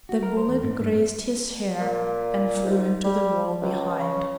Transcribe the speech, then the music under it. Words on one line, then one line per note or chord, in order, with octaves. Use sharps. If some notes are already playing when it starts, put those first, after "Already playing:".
The bullet grazed his hair and flew into the wall behind.
F#4
A#4
C5
E2
G#2
G2
A3
A#2
G#2
G3
C#2
C#3